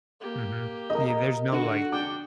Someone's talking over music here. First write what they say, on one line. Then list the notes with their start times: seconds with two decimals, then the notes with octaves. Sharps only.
mhm, yeah, there's no, like
0.21 A#3 G4
0.90 A#4 D#5
1.52 D3 F#4
1.92 D4 G5 D6